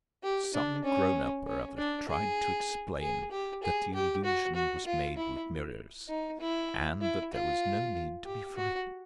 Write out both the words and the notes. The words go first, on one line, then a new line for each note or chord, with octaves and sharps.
Some grown-up or other tried to explain that the illusion was made with mirrors, and that there was no need to be frightened.
G4
D4
C#4
C#4
D4
G#4
G#4
G4
G#4
G4
F#4
F#4
F4
E4
D#4
E4
E4
F4
G4
F#4